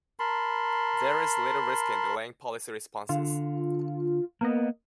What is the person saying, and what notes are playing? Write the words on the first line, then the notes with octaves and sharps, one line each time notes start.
There is little risk in delaying policy responses.
A#4 A5 B5 C6
D3 F4
A#3 B3 A#4 D#5